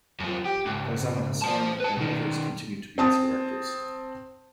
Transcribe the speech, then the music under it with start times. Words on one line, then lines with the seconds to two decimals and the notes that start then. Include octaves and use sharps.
Farzana Hassan and others continue to be its directors.
0.20 F#2 F3
0.46 G4
0.66 C#2 G#2
1.42 C5 A5
1.80 B4 A5
1.97 B2 D#3
2.98 C4 A5 D#6